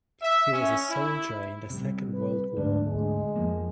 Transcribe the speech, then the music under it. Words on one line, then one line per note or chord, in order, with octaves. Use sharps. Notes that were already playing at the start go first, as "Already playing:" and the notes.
He was a soldier in the Second World War.
E5
C#4
E4
C3 G3
B4
D2 G#2 D4
G#3
F2 F3 A#3